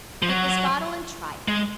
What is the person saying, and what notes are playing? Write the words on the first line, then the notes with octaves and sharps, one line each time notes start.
Get this bottle and try it.
F3
F#3
G#3